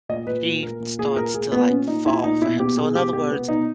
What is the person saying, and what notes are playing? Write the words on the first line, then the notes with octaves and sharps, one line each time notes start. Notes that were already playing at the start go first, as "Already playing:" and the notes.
He starts to, like, fall for him. So in other words,
A#2 D#5
A#2 B4
A#2
A#2 A#4
A#2
A#2 G#4
A#2 A#4
A#2 G#4
A#2 B3
A#2 C#4
A#2 D#4
A#2 E4
A#2 D#4
B2 E4
B2 G4
B2 G#4
B2 G4
B2 G4
B2 B3
B2 D#4